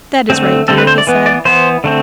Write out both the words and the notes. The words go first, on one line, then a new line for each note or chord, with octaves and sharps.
"That is right, dear," he said.
D3 A3 C4
D3 A3 C4 A4
B4
C5
D5
E3 B3
D5
E3 B3 C5
D3 A3 C4